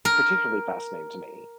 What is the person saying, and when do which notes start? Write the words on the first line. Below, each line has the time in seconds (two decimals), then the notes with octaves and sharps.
particularly fascinating to me.
0.05 A#4